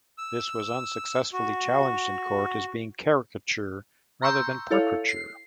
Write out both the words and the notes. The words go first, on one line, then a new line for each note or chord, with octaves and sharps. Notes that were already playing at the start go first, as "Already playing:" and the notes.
This was unsuccessfully challenged in court as being caricature rather than portraiture.
E6
F#4
A#5 C6 C#6 E6 G6
E4 A4 C#5 F5
C7